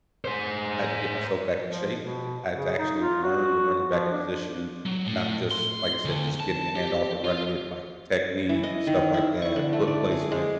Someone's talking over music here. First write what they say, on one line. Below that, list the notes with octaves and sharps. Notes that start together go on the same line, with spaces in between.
I had to get myself back in shape. I had to actually learn the running back position, not just, like I said, just getting a hand off and running it, like, technique and stuff like that, foot placement,
G#4 C5
F3
B2
C#3
D#4
F4
F#4
F3
D4
F#3
A2
C6
D2
A5
G4
F4
E3
D#5
D#3
E4
C#6
D3
A3
D5
G#4
G#3